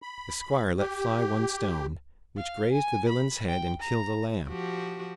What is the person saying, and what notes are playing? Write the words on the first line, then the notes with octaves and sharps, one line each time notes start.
The squire let fly one stone, which grazed the villain's head and killed a lamb.
B5
G4
F5
G#5
B5
G5
A#5
F3 F#4 G4